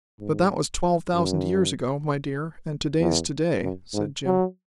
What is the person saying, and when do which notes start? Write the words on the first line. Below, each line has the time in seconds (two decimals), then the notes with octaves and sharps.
"But that was twelve thousand years ago, my dear, and to-day's to-day," said Jim.
0.20 G#2
1.14 F#2
3.00 E2
3.62 F#2
3.94 G#2
4.25 F#3